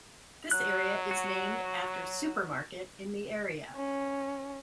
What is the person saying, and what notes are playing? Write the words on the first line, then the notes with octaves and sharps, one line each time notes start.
This area is named after Supermarket in the area.
F#3 F#6
F#4
C#4